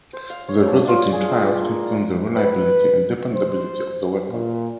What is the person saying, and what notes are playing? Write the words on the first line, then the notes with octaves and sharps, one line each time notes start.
The resulting trials confirmed the reliability and dependability of the weapon.
C5
F5
C#5
D4
F4
G#4
D5
A#3
A#3
B4
C5
A#2